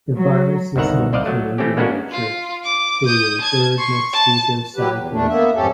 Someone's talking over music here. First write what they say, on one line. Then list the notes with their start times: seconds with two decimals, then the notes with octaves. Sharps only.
The virus is maintained in nature through a bird-mosquito cycle.
0.16 F#3
0.76 G1 C2 D#3 E5 F#5 A#5
1.13 C2 C5 D5 D#5 F5 F#5
1.26 F#3 A3
1.58 E3 A3 C4 C#4 G4
1.77 G#3 A#3 B3 C#4 D4 F#4
2.11 F4
2.64 D6
3.06 D#6 G6
3.41 A5 G#6
3.78 C6 C#6
4.13 A5
4.76 F#3 G4 B4
4.92 E2
5.11 E2 A3 D4
5.28 A#3 B3 E5
5.55 F2 G#2 C#4 G4 A4